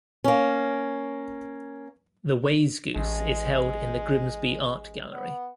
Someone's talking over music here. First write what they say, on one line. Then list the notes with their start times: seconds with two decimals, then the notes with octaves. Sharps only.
The wayzgoose is held in the Grimsby Art Gallery.
0.24 A#3 C#4
2.96 A1 G#3
5.13 B3